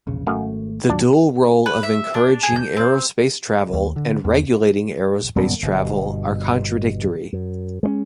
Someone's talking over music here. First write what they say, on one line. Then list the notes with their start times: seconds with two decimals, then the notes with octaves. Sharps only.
The dual role of encouraging aerospace travel and regulating aerospace travel are contradictory.
0.07 E1 A#1 C#3
0.27 G#1 F#2 A3 F5
0.89 D#2 A#2 F#3 D4
1.66 B4
1.83 E5
2.14 D4
2.43 G#4
2.56 G6
2.77 C4
3.73 D#2
3.96 D3
4.24 E2
5.35 D#1 F#2 G3 B3
5.62 G1 G2 B2
7.33 F#2
7.83 G#3 A3 C#4